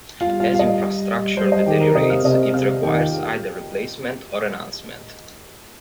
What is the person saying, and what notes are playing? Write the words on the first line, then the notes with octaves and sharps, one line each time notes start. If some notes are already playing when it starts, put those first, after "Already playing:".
As infrastructure deteriorates, it requires either replacement or enhancement.
G3 F4 F5
F4 F5
F5
D#5
G3 C5
D#5
D#3 G4 G5
A#4 A#5
C3 D#5 D#6
F5 F6
C3 D#5 D#6
C3 F5 F6
D#3 G4 G5
G5
F4 F5